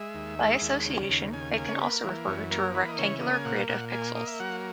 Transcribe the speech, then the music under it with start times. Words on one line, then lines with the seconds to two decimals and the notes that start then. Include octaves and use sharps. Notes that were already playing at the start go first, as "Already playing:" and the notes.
By association, it can also refer to a rectangular grid of pixels.
Already playing: G#3 E5
0.14 D#2
0.39 G#3
0.62 D#2
0.85 C#3
1.09 D#2
1.33 C#3 G#5
1.57 A#3 G#5
1.68 C#5
1.80 A#3 B4
2.04 E3
2.27 F#2 C#4
2.51 A#3 A#4
2.74 E3 B4
2.89 D#5
2.98 C#3 C#5
3.21 A#3 D#5
3.33 G#5
3.45 A#2 F#5
3.69 A#2 F#5
3.92 A#3 G#5
4.15 A#3 D#5
4.27 E5
4.40 F#3 F#5